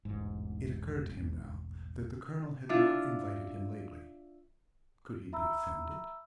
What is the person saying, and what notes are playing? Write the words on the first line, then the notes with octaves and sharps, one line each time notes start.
It occurred to him, now, that the Colonel had not invited him lately--could he be offended?
E1 A1 G#2
D4 E4 F4
E5 A#5 B5 E6